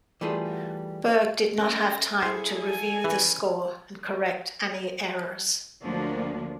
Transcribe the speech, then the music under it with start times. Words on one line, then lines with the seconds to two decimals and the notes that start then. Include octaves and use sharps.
Berg did not have time to review the score and correct any errors.
0.21 E3 G3 A3 F4 G#4
1.58 A3 C#4 E5 A#6
2.22 E4 G#4 A4 C5 G#6
2.63 G#5
3.04 E3 C#4
5.83 D2 D3 F3 F#3 A#3 D4